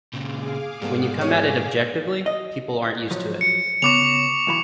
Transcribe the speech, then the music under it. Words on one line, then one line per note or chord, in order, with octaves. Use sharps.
When you come at it objectively, people aren't used to it.
A#2 C#3 G#4 F5 D6
G#2 G3 B3 A4
C#4
D#5
F3 F#3
C#7
C#3 B3 C#6 D6 F7
B1 E3 B5